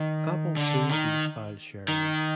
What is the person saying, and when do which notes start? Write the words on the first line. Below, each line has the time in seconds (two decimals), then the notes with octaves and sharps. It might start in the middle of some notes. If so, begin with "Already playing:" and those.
Apple sued these file sharers.
Already playing: D#3
0.57 D3
0.89 D#3
1.88 D#3